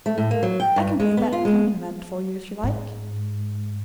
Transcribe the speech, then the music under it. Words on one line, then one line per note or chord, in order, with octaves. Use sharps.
I can play that accompaniment for you if you like.
A3
A2
A#3
F#3
G5
G2
G#3
B3
F4
G#3
G#2